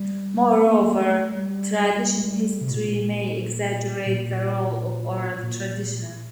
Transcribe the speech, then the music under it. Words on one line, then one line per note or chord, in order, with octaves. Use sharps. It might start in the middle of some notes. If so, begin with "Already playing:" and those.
Moreover, tradition history may exaggerate the role of oral tradition.
Already playing: G3
A#3
G3
A3
G3
C3
A#2
A#2
A#2